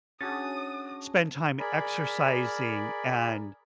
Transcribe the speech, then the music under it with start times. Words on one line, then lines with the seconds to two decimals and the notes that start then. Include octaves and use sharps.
spend time exercising and,
0.21 C#4 D4 F#4 G#4 D#6 A6
1.59 G#4 A#4 D5 B5